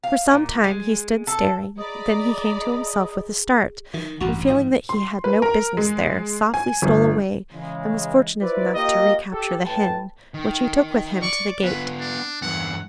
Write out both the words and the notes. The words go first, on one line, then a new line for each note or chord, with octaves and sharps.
For some time he stood staring; then he came to himself with a start, and feeling that he had no business there, softly stole away, and was fortunate enough to recapture the hen, which he took with him to the gate.
F5
A#2
G#3
A4
G#4 D5 D#5 A#5 B5
D#3 E3
A1 G2 F#4 A5 A#5
G#2 F3 D#5 D#6
C6
B4
A#4
G#3
G#5
G1
C#3 E3 G#3
E4 F4 B4 C5 D5
A#3 F4 G4 D#5
G4 A4
A2 B4 G5 A5
D#3
D5 C#6
B3 F4 B4
D4
E2 G2 F#5